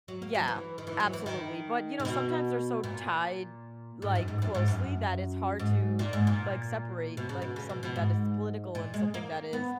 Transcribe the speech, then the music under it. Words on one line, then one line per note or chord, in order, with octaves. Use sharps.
Yeah, absolutely, but, you know, sometimes they're so tied, like, closely that it's hard to, like, separate, like, something that is political and something that is,
F#3
A#3
F#3
E3
D#3
E3
F#3
E3
D#3
C#3
B2
A#2
G#2
F#2
G#2
F#2
G#2
F#2
G#2
A#2
G#2
A#2
B2
C#3
B2
C#3
B2
B2
G#2
A#2
G#3
A#3
B3